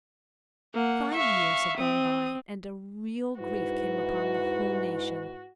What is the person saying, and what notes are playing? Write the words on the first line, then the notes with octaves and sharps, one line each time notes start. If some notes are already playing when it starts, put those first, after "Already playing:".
Five years had gone by, and a real grief came upon the whole nation.
A#3 F#5
E5 F5 C#6
C4 D#6
G#2 E4 F#4 B4